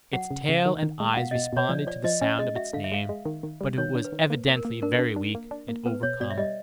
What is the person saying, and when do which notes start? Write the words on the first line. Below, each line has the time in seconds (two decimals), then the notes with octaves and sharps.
Its tail and eyes responded to the sound of its name, but it was evidently very weak and overcome.
0.13 F#3 F#5
0.31 C#3
0.49 C#3
0.66 D#3
0.83 D#3
1.00 G#3
1.13 F#5
1.17 B2 F5
1.31 D#5
1.35 B2
1.53 B2 C#5
1.69 F3 D5
1.87 F3 D5
2.04 F3 D#5
2.21 C#4 D#5
2.39 G#3 D#5
2.56 F#4 E5
2.73 D3 F5
2.84 E5
2.92 G#3 F5
3.09 G#3
3.25 D#3
3.43 D#3
3.61 G3
3.78 D#3 C#5
3.95 D4
4.05 B4
4.12 D#3
4.30 A#3
4.48 A#3
4.56 A#4
4.65 A#3
4.82 D4 A#4
4.99 D4
5.16 D4
5.35 A#3
5.51 D4
5.68 A#3
5.86 B3 B4
6.03 B2 C#5
6.20 B2 D5
6.30 E5
6.38 G3 D#5